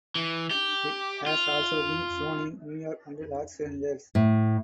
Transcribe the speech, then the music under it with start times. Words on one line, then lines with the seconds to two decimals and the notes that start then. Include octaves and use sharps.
It has also been shown in New York and Los Angeles.
0.15 E3
0.51 G4
1.27 F4
4.15 A2